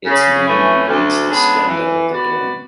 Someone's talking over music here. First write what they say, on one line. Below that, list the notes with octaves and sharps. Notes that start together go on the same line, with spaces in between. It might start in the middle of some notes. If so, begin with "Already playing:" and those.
Its name means the splendor of the dawn.
C#3
E3 A3 C#4 E4
D2
C#3 G#3 B3 D4
E3
B3 F#4 B4 D5